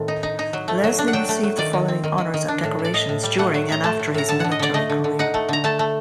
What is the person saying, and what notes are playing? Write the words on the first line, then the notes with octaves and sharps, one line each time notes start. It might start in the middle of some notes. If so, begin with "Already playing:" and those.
Leslie received the following honours and decorations during and after his military career.
Already playing: A2 D#3 C4
D#4
D#4
D#4
F#3
A3
F#3
D4
F#5
F#3 G5
A3
F#3
D#3 D5
D#3
C4
D#3
D#3
D#3
D4
A2
A2
D5
A2 D#5
A2
G3
A3 F#5
F#3
A2 A#5
A3 A5
A2
A2 A#5
D3 A5
D3 F#5
D#5
D3 D5
A3 D#5
D3
D3
D#4 F#5
A3
D3 A#5
A3 A5
A3